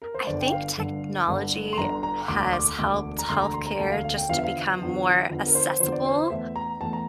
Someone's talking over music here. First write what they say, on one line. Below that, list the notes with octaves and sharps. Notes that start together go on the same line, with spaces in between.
I think technology has helped health care just to become more assessable.
A#4
C5
G1 G2 D3 D5
G5
F5
G1 G2 D3
G1 G2 D3
C6
G1 G2 D3 A#5
A#5
E1 D2 D3 D6
D6
E1 D2 D3 D6
A#5
E1 D2 D3 C6
A#5
C6
A#5
E1 D2 D3 A5
F5
F5
G5
E2 D3 F3 F5
E5
F5
E2 D3 F3
E2 D3 F3
A#4
C5
E2 D3 F3 C5
D5
C5
E2 E3 A3 E5
A#5
E2 E3 A3 A5
A#5